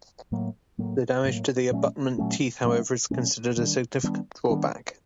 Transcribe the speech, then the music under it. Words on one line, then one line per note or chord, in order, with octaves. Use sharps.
The damage to the abutment teeth, however, is considered a significant drawback.
A2 F#3 A#3
A2 F#3 A#3
A2 F#3 A#3
A#2 F#3 A3 C#4
A#2 F#3 A3 C#4
A#2 F#3 A3 C#4
A#2 F#3 A3 C#4
D#3 G3 B3 D4
D#3 G3 B3 D4
D#3 G3 B3 D4